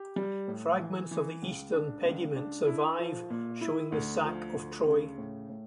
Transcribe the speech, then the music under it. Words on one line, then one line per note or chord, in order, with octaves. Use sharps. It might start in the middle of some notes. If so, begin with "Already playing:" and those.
Fragments of the eastern pediment survive, showing the Sack of Troy.
Already playing: G4
G3
A2
E3
E3
C#2
D4
C#2
D4
E4
F3
A#2
E4
D2
F3
D2
C#3
A2
A2